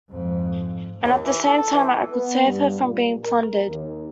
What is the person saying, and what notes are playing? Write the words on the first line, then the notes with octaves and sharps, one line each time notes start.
And at the same time I could save her from being plundered.
F2 G#2
D#2
E3
A4
E3
B3
G2
A#2
A#4
D#2